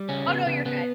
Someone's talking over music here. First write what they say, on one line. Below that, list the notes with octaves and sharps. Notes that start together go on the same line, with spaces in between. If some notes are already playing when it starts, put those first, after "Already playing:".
Oh no, you're good.
Already playing: G3
C#3 C#4
C#3 B3
C#3 B3
C#3 B3